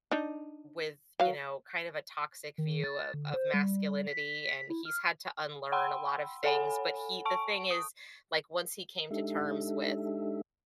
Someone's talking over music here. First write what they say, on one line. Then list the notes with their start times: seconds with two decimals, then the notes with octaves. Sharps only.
with, you know, kind of a toxic view of of masculinity and he's had to unlearn a lot of things but he the thing is, like once he came to terms with,
0.11 D4 D#4
1.20 F#3 F5
2.58 D#3
2.84 A6
3.14 D3
3.34 C5
3.54 G3
4.07 B6
4.70 E4
4.85 F6
5.72 F#5 G5 B5 C6 E6
6.44 A4 C#5 F#5 G#5 B5
7.25 A5 C#6 D7
7.71 D#6
9.11 G#3 D4 D#4 G4 A4 E5